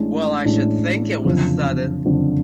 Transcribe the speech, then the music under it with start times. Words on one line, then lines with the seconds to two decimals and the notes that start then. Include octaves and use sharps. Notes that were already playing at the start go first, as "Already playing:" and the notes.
Well I should think it was sudden!
Already playing: A1 A2 G#3 D4
0.45 A1 A2 G#3 D4
1.25 F#1 F2 D3 F3
2.05 F#1 F2 D3 F3